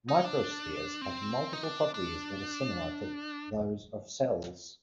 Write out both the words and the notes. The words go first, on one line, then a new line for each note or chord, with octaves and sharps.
Microspheres have multiple properties that are similar to those of cells.
D#4
D4
C4
D#4
D4
D4